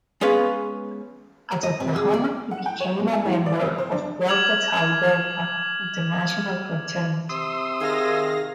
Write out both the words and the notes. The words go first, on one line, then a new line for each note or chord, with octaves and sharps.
At Oklahoma he became a member of Delta Tau Delta International Fraternity.
G#3 B3 C#4 G#4 B4 F5
D#5
C3
G#4
D5
F#5
G5
C#5
B2
G#5
E3
D5
F2
C5
D4
D6 F6 G#6 F7 F#7
C3 C6 D#6 E6
D#3 G#4 F5 A#6